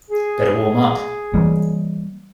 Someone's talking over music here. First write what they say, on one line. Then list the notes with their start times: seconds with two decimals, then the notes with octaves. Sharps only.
Better warm up.
0.10 G#4
1.34 E3 G3 A#3